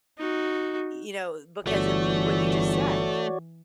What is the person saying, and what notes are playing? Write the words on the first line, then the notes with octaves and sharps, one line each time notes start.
Y you know, because of what you just said,
D#4 F#4
G1 E3 A3 F#4 C#5 D5